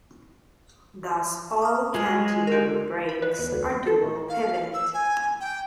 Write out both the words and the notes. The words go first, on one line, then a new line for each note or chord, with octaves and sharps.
Thus all cantilever brakes are dual-pivot.
D#6 F6
G#3 F4
G4 A#4
B5
B4
E2
D2
B3
A4
A2
F5
E6
G#5
G5